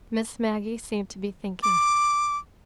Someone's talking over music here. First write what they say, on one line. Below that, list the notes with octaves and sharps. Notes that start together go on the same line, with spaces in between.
Miss Maggie seemed to be thinking.
D6